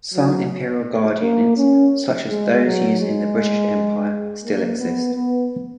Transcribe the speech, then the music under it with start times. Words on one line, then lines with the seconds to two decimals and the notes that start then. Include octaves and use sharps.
Some imperial guard units, such as those used in the British Empire, still exist.
0.14 F#3
1.21 A#3
1.57 C#4
2.29 G#3
2.65 F#3
3.01 G#3
4.44 A#3
4.79 B3
5.15 B3